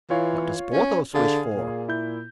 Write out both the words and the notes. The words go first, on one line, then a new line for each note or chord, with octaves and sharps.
"What does Porthos wish for?"
E3 F4 C#5 F5
C#4
D3 G#4 F5
A#2
E4 G6